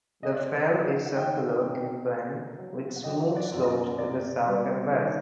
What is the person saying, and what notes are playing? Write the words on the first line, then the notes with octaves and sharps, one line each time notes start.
The fell is circular in plan with smooth slopes to the south and west.
C3 D#5
D5
C5 D#5
D#3
F#5
D#3 D#5 G5
C3
A3
F#3
F#5
F#3 D#5 G5
D5 F#5
F#2
D#5
A#4 D5
C3 A#4 D5
G3
D#3